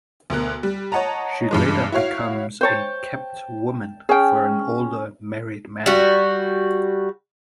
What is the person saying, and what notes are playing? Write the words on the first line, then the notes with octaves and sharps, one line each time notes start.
She later becomes a "kept woman" for an older, married man.
D2 B2 A#4 F#6
G3
C#5 D#5 F#5 A5 A#5
G2 E3 G#3
E4 F#4 C#5 F5
C5 C#5 G5 A5
C#4 G#4 G5
G3 F#4